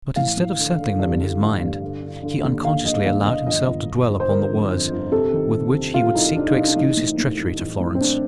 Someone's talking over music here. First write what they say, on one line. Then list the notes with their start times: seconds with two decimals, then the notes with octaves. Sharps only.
But instead of settling them in his mind he unconsciously allowed himself to dwell upon the words with which he would seek to excuse his treachery to Florence.
0.16 A1 F5
0.37 A1
0.58 D3
0.79 D3
0.99 G2
1.19 D3
1.41 A1
1.61 G2
1.82 D3
2.02 D3
2.23 D3
2.43 D#2
2.65 D3 F5
2.85 D#2 D#5
3.06 D#2 F5
3.26 D#2 D#5
3.47 G1 D#5
3.68 G1
3.88 G1
4.09 G1
4.20 C5
4.29 D3 A#4
4.50 F2
4.70 F2
4.91 G1
5.12 C3 A4
5.33 D#3
5.53 C3
5.73 C3
5.94 C3 F4
6.15 C2 D#4
6.36 C2 D4
6.46 D#4
6.56 C2 D4
6.67 D4
6.76 A1 D#4
6.97 A2
7.18 A2
7.39 A1
7.59 A1
7.80 A1
7.95 C4
8.01 A2 D4